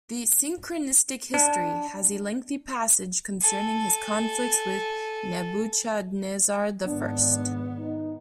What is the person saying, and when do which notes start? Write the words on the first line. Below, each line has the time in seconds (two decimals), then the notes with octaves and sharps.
The "Synchronistic History" has a lengthy passage concerning his conflicts with Nebuchadnezzar the First.
1.34 D4
3.41 A4 G#5
6.87 G#1 B3 D4
7.79 D#4